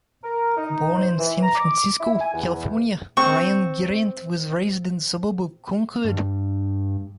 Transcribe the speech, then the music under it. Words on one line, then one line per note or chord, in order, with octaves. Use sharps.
Born in San Francisco, California, Ryanen-Grant was raised in the suburb of Concord.
A#4
D#4
C5
E3
A#5
D6
E4
G#5
E2
C4 C#6
G2